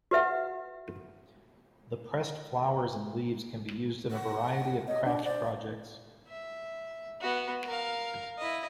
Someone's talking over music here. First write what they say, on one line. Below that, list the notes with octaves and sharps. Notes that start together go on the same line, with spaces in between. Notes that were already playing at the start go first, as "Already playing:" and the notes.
The pressed flowers and leaves can be used in a variety of craft projects.
F#4 B4 E5 F#5
F#5
C#5 D#5
D4
C5 D5
E5
B3 F#4
A#4 F5
E4 D#5